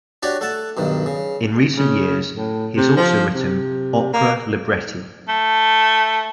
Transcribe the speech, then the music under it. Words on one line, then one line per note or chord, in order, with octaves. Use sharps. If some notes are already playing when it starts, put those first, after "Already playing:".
In recent years he has also written opera libretti.
D4 F#4 G4 C#5 D5
A3 F#5 A5
B1 G2 D#3
C#3
C#3
A2
C3
F3
C3
A#3
A3